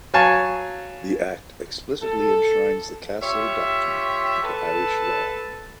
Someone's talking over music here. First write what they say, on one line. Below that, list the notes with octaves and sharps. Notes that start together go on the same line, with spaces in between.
The act explicitly enshrines the castle doctrine into Irish law.
F#3 F5 G#5 A5 C#6
A4
F4 G4 C#5 E5
A4 B4 A5